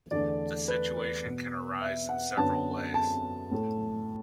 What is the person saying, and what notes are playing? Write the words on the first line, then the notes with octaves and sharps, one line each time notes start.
The situation can arise in several ways.
E2 D3 A3 D5
B4
B4
B2 B3
E5
F#5
F#2 D3 F#3 B3 A5
A5
A2 A3